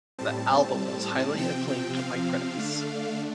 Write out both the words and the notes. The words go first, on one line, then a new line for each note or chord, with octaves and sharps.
The album was highly acclaimed by critics.
A2 G3 C4 A5
C3 F3 C4 G5
G5
F5
D3 A3 D4